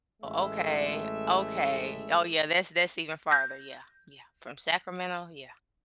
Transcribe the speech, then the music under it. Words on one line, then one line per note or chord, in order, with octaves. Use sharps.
oh, okay, okay. Oh, yeah, that's that's even farther. Yeah, yeah. From Sacramento? Yeah.
A1 G#3 A3 E5
G6 A#6